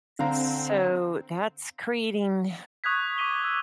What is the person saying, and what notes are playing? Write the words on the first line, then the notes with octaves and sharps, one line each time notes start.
So, that's creating
D3 C4 F5 A#5
C#6 D#6 F#6 G#6 B6
D6 B6 D#7 G7
E6